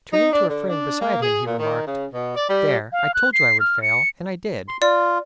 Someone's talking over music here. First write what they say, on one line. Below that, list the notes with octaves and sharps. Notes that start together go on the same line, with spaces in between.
Turning to a friend beside him he remarked, "There, I told you I would fail, and I did."
D#4
D4
D3
D4
A#3
G#4
A#2
D#3
C#3
B2
D5
G3
F5
F#6
C7
F6
C#7
C6
F4 D5